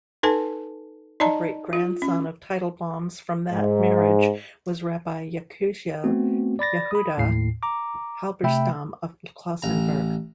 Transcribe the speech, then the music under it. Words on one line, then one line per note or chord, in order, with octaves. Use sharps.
A great-grandson of Teitelbaum's from that marriage was Rabbi Yekusiel Yehudah Halberstam of Klausenberg.
D#4 A4 B4 G#5 A5
D#4 D5 D#5 A5 A#5
F4
C#4
G#2
A3 B3 C4 F#4
D5 B5 A6 A#6
B5 D#6
D#2 A2 C7
A#5 D6
C3 A3 E5 G5 B5
A1 A#5